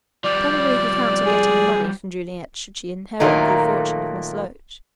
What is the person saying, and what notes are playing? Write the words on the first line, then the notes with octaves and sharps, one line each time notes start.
Probably he counts on getting the money from Juliet, should she inherit the fortune of Miss Loach.
F3 G3 D5
G#4
A#2 D#3 F#3 A3 A#3